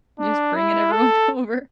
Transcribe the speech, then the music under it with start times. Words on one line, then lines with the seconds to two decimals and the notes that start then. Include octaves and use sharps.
just bringing everyone over.
0.19 D4
0.56 E4
0.92 A4